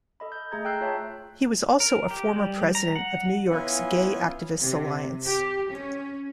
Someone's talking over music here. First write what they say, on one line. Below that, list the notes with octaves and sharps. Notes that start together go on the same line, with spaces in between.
He was also a former president of New York's Gay Activists Alliance.
A4 D#5 B5
G6
A3 G#4 A#5 G#6
G5 A#5 E6 F#6 G6 C7
F4 C#5 E5 A5
A#4
G4
G3
A#5
F#5
B3 C#4 E4 F4 G#5
C3
G4
C#4